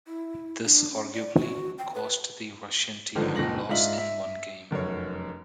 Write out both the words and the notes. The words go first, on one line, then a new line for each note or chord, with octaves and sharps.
This arguably cost the Russian team a loss in one game.
E4
D4
C#4
D5
F#4
G5
B4
G1 G#2 D3 D#3 F3
F#1 C#2 A#2 A#6 F#7
G#2 D4 F4 D#5 E5 F#7
E5
F1 F#2 A#4 C#5